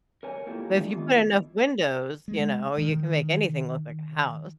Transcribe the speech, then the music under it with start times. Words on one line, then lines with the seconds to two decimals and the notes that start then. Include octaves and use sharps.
But if you put enough windows, you know, you can make anything look like a house.
0.23 A#4 C#5 G#5
0.47 A#3 E4 F4 G4 A4
0.70 F3 G#3 A3 D4 F4 G4
0.89 D#3 E3 B3 F4
1.08 E4
2.28 G#3
2.78 D#3